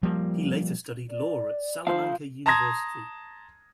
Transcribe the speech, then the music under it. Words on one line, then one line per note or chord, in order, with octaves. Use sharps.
He later studied law at Salamanca University.
F3 G3 A#3
D5
D2 F3 C5 F5
A5 A#5 C6 D#6 G#6 A#6